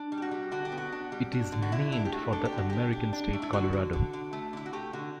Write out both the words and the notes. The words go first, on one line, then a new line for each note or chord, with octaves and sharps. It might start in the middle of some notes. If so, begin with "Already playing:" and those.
It is named for the American state, Colorado.
Already playing: D4
G3
G4
F#4
G3
D3 F#4
G4
B3
F#4
D4
G3
D4
D3
F#4
D3 E4
D4 E4
G4
A3 F#4
D4 A4
G4
D3
F#4
D4 G4
D4
D4
A3
E4
D3 F#4
D3
D3
D3
A3
D3 E4
F#4
A3 G4
D3 F#4